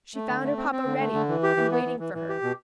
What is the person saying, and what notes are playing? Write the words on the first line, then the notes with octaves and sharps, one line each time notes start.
She found her papa ready, and waiting for her.
A3
D3
A3
C4
C4
D3
A3
D3
E3
G4
E3
B3
E3
E3
E3
G4
B2